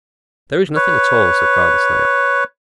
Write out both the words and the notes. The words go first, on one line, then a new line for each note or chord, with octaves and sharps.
"There is nothing at all," said Father Snail.
B4 C#5